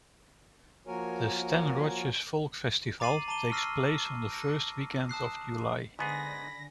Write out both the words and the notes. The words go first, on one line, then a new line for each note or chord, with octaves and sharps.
The Stan Rogers Folk Festival takes place on the first weekend of July.
F3 A#3 F#4 A#4 C#5 G#5
A#5 D6 A6 C7 D#7 F#7
A5 A#5 D6 D#7 G7
C#6 E6 F6 A#6 C7 D#7
A#6
A5 D#6 F#6 C7
G#2 D3 B3 G#4 G#5 B5 A#6